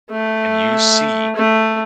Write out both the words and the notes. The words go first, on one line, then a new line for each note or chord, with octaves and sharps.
and you see,
A3
A3